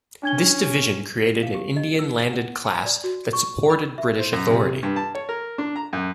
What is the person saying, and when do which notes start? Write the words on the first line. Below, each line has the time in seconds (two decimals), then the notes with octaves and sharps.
This division created an Indian landed class that supported British authority.
0.23 C#4 D4 G#6 G7
1.43 F5
1.54 G4
1.76 D#5
1.99 E6
2.33 F#5
2.65 G#5
2.86 D5
3.04 F#4
3.33 C#6
3.70 B5
3.98 E5
4.19 C5
4.33 F#2
4.51 C3
4.83 G2
4.96 A5
5.15 C#5
5.29 A#4
5.58 D4
5.76 A#5
5.93 F#2